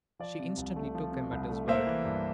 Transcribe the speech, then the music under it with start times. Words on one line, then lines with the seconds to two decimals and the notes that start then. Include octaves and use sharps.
She instantly took him at his word.
0.19 F3 D5
0.39 C3
0.57 C2
0.76 A3
0.95 F3
1.12 C3
1.31 C2
1.50 A3
1.68 A#3 C5 E5
1.87 E3
2.05 G2